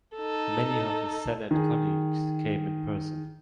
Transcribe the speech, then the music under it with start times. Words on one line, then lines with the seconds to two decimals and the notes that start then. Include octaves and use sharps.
Many of his Senate colleagues came in person.
0.16 D#4 A4
1.51 D#3 G#4